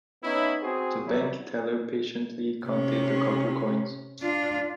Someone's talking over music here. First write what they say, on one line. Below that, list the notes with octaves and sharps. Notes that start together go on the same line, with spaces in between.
The bank teller patiently counted the copper coins.
B3 C#4 D#4 E4
C4 F#4 G#4
E3 F#3 G3 E4
C3 C#4
D4 F4